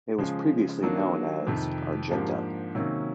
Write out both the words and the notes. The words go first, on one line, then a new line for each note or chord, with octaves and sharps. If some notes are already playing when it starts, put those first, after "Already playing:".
It was previously known as Argenta.
C#3 F3 G#3
D#3 F#3 A#3 D4
F2 C3 D#3
G#2 F3 A#3 D4 G4
C3 D#3 F#3 A#3 C#4